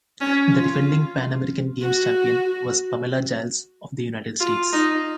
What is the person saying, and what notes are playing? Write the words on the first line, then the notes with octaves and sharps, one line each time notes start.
The defending Pan American Games champion was Pamela Jiles of the United States.
C#4
F4
F#4
F4
D#4